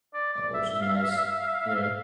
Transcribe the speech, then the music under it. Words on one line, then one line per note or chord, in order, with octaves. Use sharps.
uh, which is nice. Yeah,
D5
D5
E5
E5
F5
E5
F5
E5
F5
E5
F5
E5
F5
E5
F5
E5
F5
E5
F5